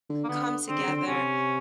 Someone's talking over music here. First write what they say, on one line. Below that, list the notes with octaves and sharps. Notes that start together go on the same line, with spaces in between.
come together,
D3
A#3
D3 B3
D3 C4
C#3
D3
C4
C3 C#4